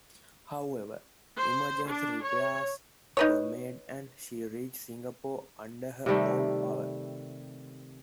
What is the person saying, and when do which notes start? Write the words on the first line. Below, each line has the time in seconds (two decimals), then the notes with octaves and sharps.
However, emergency repairs were made and she reached Singapore under her own power.
1.38 C5
1.89 D4
2.23 C#5
3.17 D#4 B4 C#5
6.06 C3 D#3 G3 A3